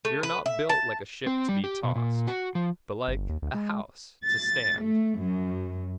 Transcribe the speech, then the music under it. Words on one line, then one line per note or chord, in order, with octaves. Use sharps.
We are not built like a ship to be tossed, but like a house to stand.
A3
B4
E5
A5
C4
G3
G4
B2
A#2
F#4
F3
G1
D#2
D2
G#3
A6
A3
F#2